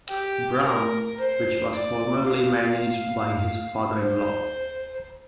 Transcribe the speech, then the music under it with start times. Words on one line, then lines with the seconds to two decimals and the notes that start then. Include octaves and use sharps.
Brown, which was formerly managed by his father-in-law.
0.09 G4
0.65 A#4
1.20 C5
1.75 D5
2.30 F5
3.97 C5